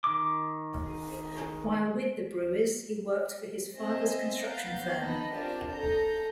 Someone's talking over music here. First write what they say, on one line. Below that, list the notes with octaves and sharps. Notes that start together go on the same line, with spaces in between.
While with the Brewers, he worked for his father's construction firm.
D#3 D6
C4 D#5 E5 G#5
B3 F5 A#5 G6 A6 C7
D#4 B4 D#5 A5 B5
C4 D4 F4 G4 A#4 D5
A4 D#5 A#5 G6